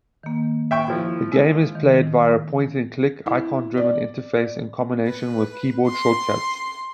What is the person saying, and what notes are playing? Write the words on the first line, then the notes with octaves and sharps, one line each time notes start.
The game is played via a point-and-click, icon-driven interface in combination with keyboard shortcuts.
D#3 A#3
E5 G5 C#6
F3 E4
G#3 E6
D#3
E4
D5
B4
C6